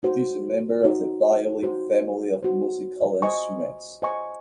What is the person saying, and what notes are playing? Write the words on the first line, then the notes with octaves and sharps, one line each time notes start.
It is a member of the violin family of musical instruments.
D#4 F#4 C5
D#4 F#4 C5
D#4 F#4 C5
D#4 F#4 C5
C5 D#5 G#5 C#6
C5 D#5 G#5 C#6